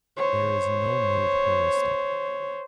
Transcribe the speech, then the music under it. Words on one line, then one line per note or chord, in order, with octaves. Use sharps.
There is Null-move heuristic.
C5 C#5